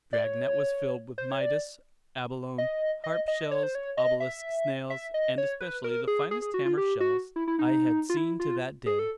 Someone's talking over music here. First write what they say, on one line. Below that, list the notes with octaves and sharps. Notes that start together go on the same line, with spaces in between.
Our dragnet was filled with Midas abalone, harp shells, obelisk snails, and especially the finest hammer shells I had seen to that day.
D5
C#5
C5
C#5
D5
D#5
D#5
D#5
C#5
C5
C#5
D#5
E5
E5
D#5
C#5
B4
A#4
G#4
G#4
G#4
F#4
F4
G4
F#4
E4
E4
D#4
F4
E4
F4
G#4
A4